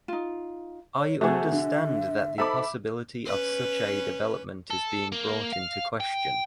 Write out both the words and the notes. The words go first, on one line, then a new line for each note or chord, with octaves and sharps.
I understand that the possibility of such a development is being brought into question.
D#4 F4
C#5
C3 A3 F#4 G#4 E5
D3
D#4 A4 C5 E5 B5 D6
C#4 B4
A4
A#3
F5
G5